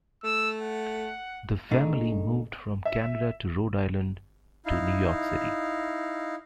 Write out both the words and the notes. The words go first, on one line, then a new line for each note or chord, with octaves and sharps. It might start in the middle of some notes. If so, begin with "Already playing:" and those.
The family moved from Canada to Rhode Island to New York City.
A3 E6
F#5
A#2 C#3 A3 D4 D#4
E5
D#4 E4 F5